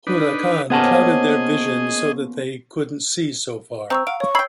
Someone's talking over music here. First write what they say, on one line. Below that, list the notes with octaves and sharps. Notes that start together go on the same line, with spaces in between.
Huracan clouded their vision so that they couldn't see so far.
D4 D#4 B4
F3 A#3 B3 C#4 G#4 D#5 F#5 A5
C4 C5 A#5 C#6 E6
F5 F#5 D7
C#5 C#6
G5 B5 E6 G#6 C7